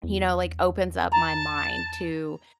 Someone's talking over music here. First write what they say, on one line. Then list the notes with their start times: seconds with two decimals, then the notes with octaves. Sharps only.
you know, like, opens up my mind to
0.04 E2
1.12 A5 A#5